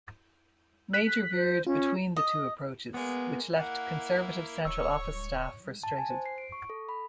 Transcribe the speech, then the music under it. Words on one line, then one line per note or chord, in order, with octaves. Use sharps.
Major veered between the two approaches, which left Conservative Central Office staff frustrated.
F#6 B6
C5
C#4 F4
D#5
G#3 A#3 B3
A#3 E4 F#5
D1 C#5 C#6 E6
A5
G#5
C5
C7
D7
C#6
A4
B5